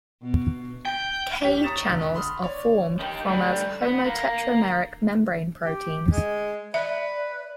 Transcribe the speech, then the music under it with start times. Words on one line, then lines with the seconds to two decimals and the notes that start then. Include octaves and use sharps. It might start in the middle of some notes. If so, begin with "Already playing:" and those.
K channels are formed from as homotetrameric membrane proteins.
0.22 B2
0.85 G5
1.44 D#2 C#4 G4 B6
1.62 A#5 C#6 D#6 A6 E7 F7
1.89 E1 D3
2.14 B5 C6 D#6 F6
2.43 C#5 D5
2.99 D#3 G4
3.26 A2 G3
3.83 B3
4.05 A#3
5.65 G4
6.11 G#3
6.74 B4 D5 E5